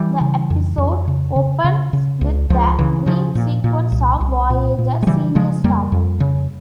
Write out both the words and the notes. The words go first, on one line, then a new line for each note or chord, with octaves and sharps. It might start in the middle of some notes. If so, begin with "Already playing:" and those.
The episode opens with the dream sequences of "Voyager" senior staff.
Already playing: E3 G3
C#3
F2
F2
C#3
C#3
C#3
C#3
C#2
C#2 F3
C#3 E3
C#3 F3
A#2
A#2
C2
C2
A#2
A#2
G#3
C#3 E3 G3
C#3 F3 G#3
F2 G3 A#3
F2
C#3